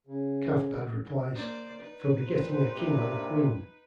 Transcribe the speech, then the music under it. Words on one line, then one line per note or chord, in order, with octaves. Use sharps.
Cathbad replies, "for begetting a king on a queen".
C#3
A#3 C5 D5
D#4 B4
A#2 C5
G2 C3 A#3